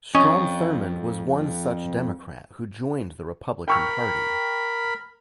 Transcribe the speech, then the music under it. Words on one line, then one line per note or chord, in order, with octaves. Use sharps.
Strom Thurmond was one such Democrat who joined the Republican party.
F2 C#4 C#5 D#5 C#6
A#4 G5 B5 C#6 F6